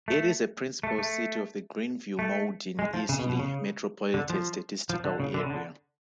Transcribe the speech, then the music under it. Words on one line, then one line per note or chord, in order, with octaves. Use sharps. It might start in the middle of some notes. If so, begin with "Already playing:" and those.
It is a principal city of the Greenville-Mauldin-Easley Metropolitan Statistical Area.
A3
A3
A3
A3
G#3
F3
C#3
B2
B2
C#3
D3
F3
F3
D3
C#3
D3
C#3
D3